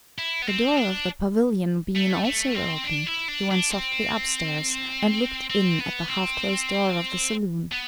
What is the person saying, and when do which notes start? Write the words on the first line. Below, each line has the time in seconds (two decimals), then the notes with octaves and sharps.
The door of the pavilion being also open, he went softly upstairs, and looked in at the half-closed door of the saloon.
0.18 E4
0.42 B3
0.47 C4
0.77 D4
1.96 A3
2.25 A3
2.55 C4
2.84 D4
3.07 E4
3.28 D4
3.51 D4
3.72 C4
5.50 C4
5.80 B3
6.10 C4
7.72 B3